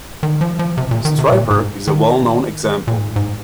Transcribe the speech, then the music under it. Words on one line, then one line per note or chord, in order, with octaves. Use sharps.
Stryper is a well-known example.
D#3
F3
F3
C3
A#2
D#3
C3
A#2
G#2
D#3
A#2
G#2
G#2